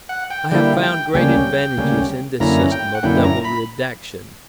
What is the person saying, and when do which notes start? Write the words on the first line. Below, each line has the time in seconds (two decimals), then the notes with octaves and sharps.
I have found great advantages in this system of double redaction.
0.09 F#5
0.30 G5
0.51 D3 G3 A#3 E4 G5
0.83 G5
1.14 D2 C#3 G3 A#3 C#4 G5
1.77 D2 C#3 G3 A#3 C#4
2.40 F#2 D3 A#3 C#4 E4 A#5
2.72 G5
2.95 F#5
3.03 F#2 D3 A#3 C#4 E4 G5
3.24 A#5
3.44 B5